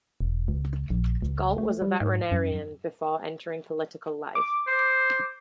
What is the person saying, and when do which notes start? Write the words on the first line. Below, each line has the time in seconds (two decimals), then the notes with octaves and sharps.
Galt was a veterinarian before entering political life.
0.21 E1
0.48 C#2
0.90 A#1
1.22 C#2
1.58 A3
1.82 G3
2.01 G#2
2.32 F#2
4.35 D6
4.67 C5